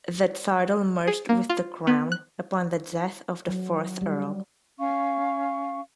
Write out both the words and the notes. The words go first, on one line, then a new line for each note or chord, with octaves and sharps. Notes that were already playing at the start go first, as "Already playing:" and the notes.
The title merged with the Crown upon the death of the fourth Earl.
G#4
A#3
F4
B3
F#6
F#3
G3
C#4 F5 C#6